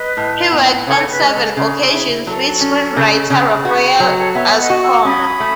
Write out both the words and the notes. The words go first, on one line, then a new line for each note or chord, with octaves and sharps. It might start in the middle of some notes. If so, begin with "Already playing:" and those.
He worked on seven occasions with screenwriter Rafael Azcona.
Already playing: B4 D#5
A2
B3
C#3 A4 C#5
B4
G#3
A4
C#3 G#4
E4
F#3 A4
C#4
C#3
C#3
F#4 B4
F#3 A4 C#5
A4 C#5
B3 C#5 E5
D#5 F#5
F#4
C#6 E6
C#4 B5 D#6
A3